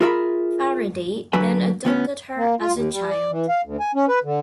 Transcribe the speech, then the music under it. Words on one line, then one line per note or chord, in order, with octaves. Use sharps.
Faridi then adopted her as a child.
F4 G#4 A#4 E5 F#5 B5
F#2 D3 F#3 B4 G#5
D2 B3 C#4
A#3
F4
D#2
G3
D5
E3
F5
D2
G#5
C#4
B4
D3